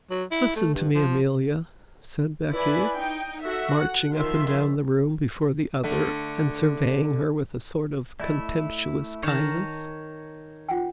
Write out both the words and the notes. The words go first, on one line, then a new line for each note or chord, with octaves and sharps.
"Listen to me, Amelia," said Becky, marching up and down the room before the other and surveying her with a sort of contemptuous kindness.
F#3
E4
A3
G2
F3
E4 B4 D5 G#5 B5
D#4 G5
F#4 A4 E5
F#5
D#3 F3 F4 E5 C6
D3 A3
A3 E4 D5 D#5
D#3 C#5 A5 A#5
F4 F#5 G5